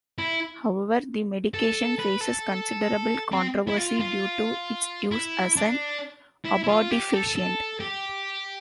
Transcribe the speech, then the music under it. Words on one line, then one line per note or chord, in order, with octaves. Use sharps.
However, the medication faces considerable controversy due to its use as an abortifacient.
E4
A4
B4
A4
C4
E4
F4
F4
E4
D4
E4
E4
F4
G4
A4
A4
G4